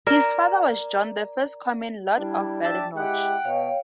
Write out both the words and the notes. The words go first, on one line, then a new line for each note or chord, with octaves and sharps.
His father was John the First Comyn, Lord of Badenoch.
A#4 D5 A#5
G3 D4 E4
D4 G4 E5 A5
G#3 E4 G4 F#5 G5
B2 C#5 F5